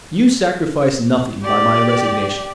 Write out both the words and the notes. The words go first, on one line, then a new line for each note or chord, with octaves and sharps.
You sacrifice nothing by my resignation.
G4 D5